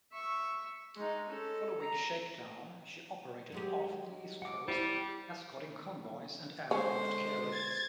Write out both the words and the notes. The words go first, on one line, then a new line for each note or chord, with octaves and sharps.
Following shakedown, she operated off the east coast escorting convoys and aircraft carriers.
E5 C#6
G#3 D#4
C#4 A4
A#5
F#3 G#3 G4
F#5 D6
G3 E4 C5
G4
D3 G#3 C#4 C5
G#6 A6